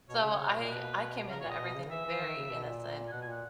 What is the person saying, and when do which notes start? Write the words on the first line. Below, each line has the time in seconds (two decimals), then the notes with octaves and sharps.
So, I I came into everything very innocent.
0.08 B2 C#5
0.18 E5
0.23 C#3
0.29 C#5
0.39 C#3
0.49 B2
0.59 A#2
0.69 B2 B4
1.30 C#3 A#4
1.40 C#5
1.45 A#2
1.50 D#5
1.60 B2
1.75 C#3
1.90 E3 E5
2.05 E3
2.21 D#3
2.36 C#3
2.51 B2
2.67 A#2
3.07 G#5
3.11 B2 F#5
3.22 G#5
3.27 A#2
3.32 F#5